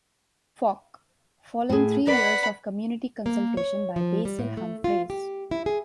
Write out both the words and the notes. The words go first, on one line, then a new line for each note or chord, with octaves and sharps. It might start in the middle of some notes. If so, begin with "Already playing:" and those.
Fock, following three years of community consultation by Basil Humphreys.
A2 G#4
B4 D5 F#5 B5
A#3
C#5
F3
G3
A2
A3
F4
G4
E4
G#4